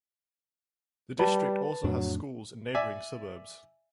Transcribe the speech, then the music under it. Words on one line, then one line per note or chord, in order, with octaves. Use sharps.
The district also has schools in neighboring suburbs.
G3 B4 A5
F2 A2 F#3 D4
D5 E5 G#5